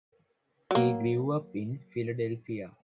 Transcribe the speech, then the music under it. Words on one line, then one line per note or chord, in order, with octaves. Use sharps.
He grew up in Philadelphia.
F#3 A#3